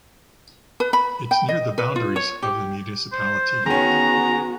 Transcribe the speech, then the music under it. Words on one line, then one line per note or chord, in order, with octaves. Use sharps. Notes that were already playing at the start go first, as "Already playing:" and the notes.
It’s near the boundaries of the municipality.
B4
B5
G5
D#5
B4
F4
C#5
G4
C5
D#3 B3 C#4 F#4 G#4 A#5